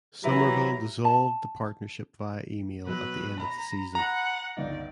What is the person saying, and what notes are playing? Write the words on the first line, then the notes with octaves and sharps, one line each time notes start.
Somerville dissolved the partnership via email at the end of the season.
D#3 E3 F#3 E4 G4 E5 A#5
A5
B2 F#3 B4
A#5 B5
F#5 A#5
G1 C#2 D#4 D5